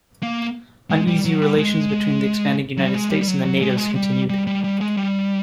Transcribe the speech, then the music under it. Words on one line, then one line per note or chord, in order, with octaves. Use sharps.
Uneasy relations between the expanding United States and the natives continued.
A#3
G#3
G3
F#3
G3
G#3
F#3
G3
G#3
G3
G3
F#3
F#3
G#3
G3
G#3
G3
G3
G3
G3
G#3
G3